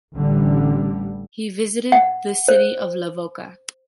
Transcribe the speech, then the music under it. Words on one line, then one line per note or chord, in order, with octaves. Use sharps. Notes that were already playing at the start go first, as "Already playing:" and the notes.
He visited the city of Levoča.
A1 D3 G3
F#5
C5